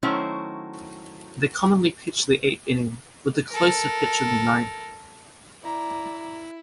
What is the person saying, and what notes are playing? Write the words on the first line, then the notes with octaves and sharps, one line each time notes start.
They commonly pitch the eighth inning, with the closer pitching the ninth.
D#3 F#3 A3 C#4 E4 C5
A4 A#4
E4 D5 A#5